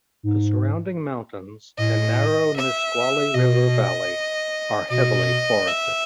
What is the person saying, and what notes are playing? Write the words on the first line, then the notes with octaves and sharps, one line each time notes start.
The surrounding mountains and narrow Nisqually River valley are heavily forested.
G#2
A2 D#5
E5
B2 D#5
B2 D#5
E5